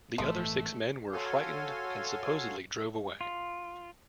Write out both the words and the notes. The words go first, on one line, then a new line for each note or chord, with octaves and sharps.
The other six men were frightened and supposedly drove away.
G1 A2 E3 G#3 A3
F#4 A4 C#5 F5 G#5 C6
F4